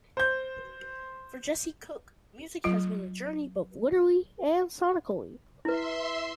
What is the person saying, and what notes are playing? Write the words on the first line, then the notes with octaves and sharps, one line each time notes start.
For Jesse Cook, music has been a journey both literally and sonically.
C5 G6
F#3 F4
E4 B4 E5 C6